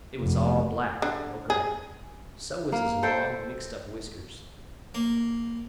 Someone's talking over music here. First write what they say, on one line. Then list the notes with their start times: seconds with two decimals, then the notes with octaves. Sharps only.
It was all black, no gray; so was his long, mixed-up whiskers.
0.21 F1
1.02 D3
1.50 G#4
2.72 A#3
3.03 A4 C5 E5 G5
4.94 A#3